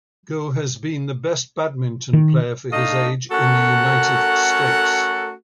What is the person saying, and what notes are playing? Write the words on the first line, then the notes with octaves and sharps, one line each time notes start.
Go has been the best badminton player for his age in the United States.
D#3
A3 D4 D#4 D#5 F5 A5
A3 C#4 F#4 A4 A#4 F#5